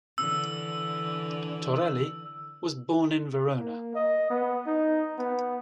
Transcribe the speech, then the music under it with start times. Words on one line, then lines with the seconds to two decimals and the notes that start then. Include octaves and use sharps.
Torelli was born in Verona.
0.18 D3 E3 E6
3.58 A#3
3.95 D#5
4.30 B3
4.67 D#4
5.18 B3